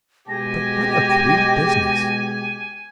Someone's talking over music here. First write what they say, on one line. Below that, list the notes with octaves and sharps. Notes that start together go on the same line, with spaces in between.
But what a queer business!
B2 G#3 G4 G#5 A#6